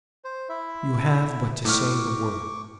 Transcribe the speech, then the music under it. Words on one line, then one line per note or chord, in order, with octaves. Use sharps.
You have but to say the word.
C5
E4 E5
A2 C#6 D6 F6